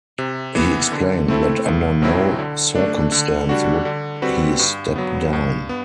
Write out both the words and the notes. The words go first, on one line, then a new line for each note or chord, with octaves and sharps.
He explained that under no circumstance would he step down.
C3
E3 B3
D3
A3 C4 E4 A4
C2
B2 F#3 C4 E4
D3
A3 D4
D3
G3 D4 F#4
D3
G3 C4 F#4 B4
G2
F#3 B3
G2
B3